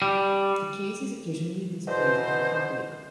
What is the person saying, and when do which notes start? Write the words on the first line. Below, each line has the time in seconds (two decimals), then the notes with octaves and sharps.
The case is occasionally displayed for the public.
0.02 G3
1.88 E2 B2 C5